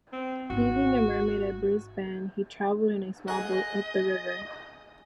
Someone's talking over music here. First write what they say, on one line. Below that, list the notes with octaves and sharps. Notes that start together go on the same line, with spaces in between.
Leaving the "Mermaid" at Brisbane, he travelled in a small boat up the river.
C4
G#1 D#4 F#4
G#4 D#5 F#5